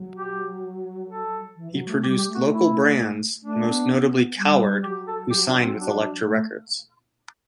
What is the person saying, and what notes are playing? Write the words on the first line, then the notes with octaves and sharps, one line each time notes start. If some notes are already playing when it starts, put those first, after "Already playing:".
He produced local bands, most notably Coward, who signed with Elektra Records.
Already playing: F#3
G4
A4
E3
F#3
A3
G3 G4
G4
A3
F#4
E4
A3 D4
B3
G3
F#3 G4
A4
F#3 G4
D4
C4
D4
A3